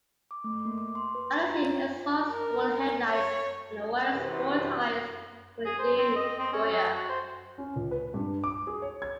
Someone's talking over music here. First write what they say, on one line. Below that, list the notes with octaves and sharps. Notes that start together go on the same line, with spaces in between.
Under-seat exhausts, dual headlights and the widest sport tyres were de-rigueur.
D6
A3
A#3
D6
C6
B4
A#5
F4
C#5
A#4
C#5
F#2 C3 E3 F#4 B4 C5
G#4
C5
C4
D#5
C4
C#4
F#3
F#4
C5
C#4
C#2
B4
G2
D6
G#4
C#5
G#6